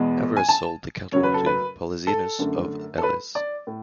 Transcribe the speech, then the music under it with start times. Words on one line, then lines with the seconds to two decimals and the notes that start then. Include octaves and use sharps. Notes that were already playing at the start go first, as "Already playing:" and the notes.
Everes sold the cattle to Polyxenus of Elis.
Already playing: E2 B2 G#3 B3
0.37 G#5
0.49 A5
1.12 F#2 C#3 F#3 C#5
1.23 B4
1.34 A4
1.46 B4
2.07 A4
2.39 F#2 D3 A3
2.98 A4
3.03 B4
3.35 D5
3.67 A2